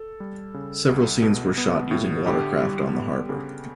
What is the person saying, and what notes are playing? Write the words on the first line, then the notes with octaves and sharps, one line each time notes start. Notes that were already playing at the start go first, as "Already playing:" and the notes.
Several scenes were shot using watercraft on the harbor.
Already playing: A4
G3
C#3
C2
B2
B3
A2
D3 G4
G3
B3
C#3